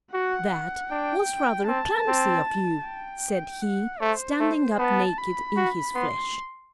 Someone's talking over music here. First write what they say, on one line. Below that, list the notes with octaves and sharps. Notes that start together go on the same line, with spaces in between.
'That was rather clumsy of you,' said he, standing up naked in his flesh.
F#4 F#5
D4 G5
C4 A5
C4
G5
F#5
A3 C5
A3
B3 A5
B5
F#4
B3 C6